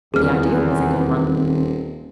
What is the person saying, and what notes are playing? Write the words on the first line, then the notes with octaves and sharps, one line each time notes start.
The idea was a good one.
D#1 E2 D#3 C4 G#4 F6